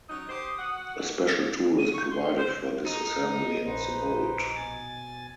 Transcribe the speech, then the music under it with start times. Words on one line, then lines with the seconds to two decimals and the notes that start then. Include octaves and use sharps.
A special tool is provided for disassembly of the bolt.
0.09 F#3 C#4 D#4 D#6
0.29 G4 C5
0.58 F#4 F#5
1.78 D#7
1.93 C#6
2.10 C6
2.38 C5
2.86 D#4
3.66 A#1 B4 C5
4.54 B2 G#5 A6